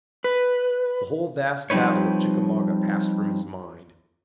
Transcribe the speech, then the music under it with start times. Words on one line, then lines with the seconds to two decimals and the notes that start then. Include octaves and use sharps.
The whole vast battle of Chickamauga passed from his mind.
0.24 B4
1.70 F3 G3 C4 D#4 B4 C#5